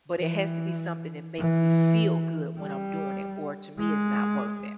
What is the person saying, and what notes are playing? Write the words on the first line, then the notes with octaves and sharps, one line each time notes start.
but it has to be something that makes me feel good when I'm doing it, or to me, it's not worth it.
E3
E3
G3
G#3